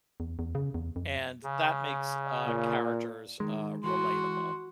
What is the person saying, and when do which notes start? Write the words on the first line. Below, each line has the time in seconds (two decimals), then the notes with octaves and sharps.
And that makes, uh, characters, uh, relatable.
0.20 E2
0.39 E2
0.55 C#3
0.74 E2
0.96 F2
1.44 C#3
2.46 A#2
3.40 D#3 G#3
3.84 E3 F#4 C6